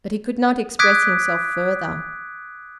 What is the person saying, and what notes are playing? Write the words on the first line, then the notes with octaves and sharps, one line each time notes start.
But he could not express himself further.
D6 D#6 F#6 G#6 B6 D7